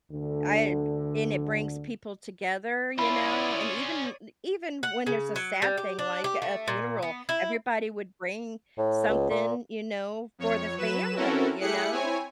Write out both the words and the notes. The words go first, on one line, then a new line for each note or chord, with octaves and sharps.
I b and it brings people together, you know, and even i even when there's a sad thing like a funeral, everybody would bring something, you know, for the family, you know,
D2 D3
C#4 E4 F4 C#5 D5 B5 D#6
F#5
C#3
F#3
G3
G4
D4
G4
A3
A#2
B3
E4
A2
C#2
A#2
F2 C#5
F#3 B4 E7
C4 C#4 E4 F#4 A4 A#4
A3 E4 G4 G#4 F#6 C#7
C4 E4 C#5 G#5